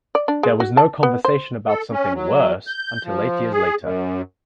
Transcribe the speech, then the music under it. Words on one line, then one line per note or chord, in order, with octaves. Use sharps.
There was no conversation about something 'worse' until eight years later.
D5
D4
G#3
F#4
A5
B3
C5
A4
C#4
F#3
G6
F3
G#4
F#2